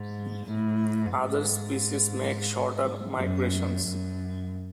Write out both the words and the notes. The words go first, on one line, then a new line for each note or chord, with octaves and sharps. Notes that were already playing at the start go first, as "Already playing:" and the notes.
Other species make shorter migrations.
Already playing: G#2
A2
G#2
F#2
F#2